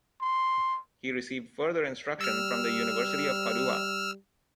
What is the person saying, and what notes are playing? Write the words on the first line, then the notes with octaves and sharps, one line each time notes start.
He received further instruction from the University of Padua.
C6
G3 E6 F6